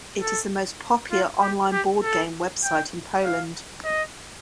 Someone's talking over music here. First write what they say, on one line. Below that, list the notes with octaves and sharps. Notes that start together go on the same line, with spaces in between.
It is the most popular on-line board game website in Poland.
A4
F4
G4
G4
A4
G5
F5
D#5